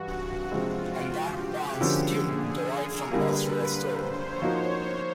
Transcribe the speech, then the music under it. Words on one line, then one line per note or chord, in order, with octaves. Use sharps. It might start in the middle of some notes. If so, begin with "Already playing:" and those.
And that band's tunes derive from elsewhere still.
Already playing: G2 E3 F#4
C3 F3 G#3 C4 F4
F#4
G4
G#4
D3 F3 A#3 C#4 F#4
G#4
A#4
D3 G3 A#3 B4
C5
C#5
F3 A#3 D#4 F#4 A#4